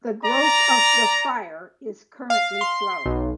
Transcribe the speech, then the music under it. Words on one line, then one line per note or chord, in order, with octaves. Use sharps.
The growth of the fire is currently slow.
D5 A#5
F5
C6
B1